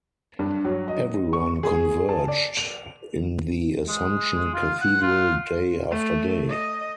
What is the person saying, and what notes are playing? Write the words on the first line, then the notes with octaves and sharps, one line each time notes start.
Everyone converged in the Assumption Cathedral day after day.
G2
F#3
D#5
C#6
G#4
A5
D5
F7
G#3
F4
F#5
F4
A3
D#5